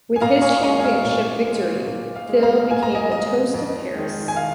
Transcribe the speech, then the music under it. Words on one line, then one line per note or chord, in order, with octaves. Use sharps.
With his championship victory, Thil became the toast of Paris.
G#5
A#2 F5 A#5
G#5 C#6
C#6
G#3 F5 A#5
G#5
F5
A#2
G#3
A#2
F5
G#3
F5 A#5
A#2 G#5
A#5
D#5 G#5
G#3 D#5
F2
D#3 G#3
G#5
F5